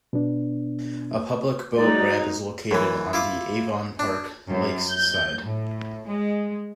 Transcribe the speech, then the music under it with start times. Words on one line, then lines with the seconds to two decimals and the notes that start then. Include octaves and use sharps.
A public boat ramp is located on the Avon Park Lakes side.
0.13 B2 B3 D4
1.76 F#3 G#3 D#4 D5
2.71 F#2 E3
3.13 E4 F4 D6
3.99 D4
4.50 F#2
4.90 G6
5.42 A2
6.06 G#3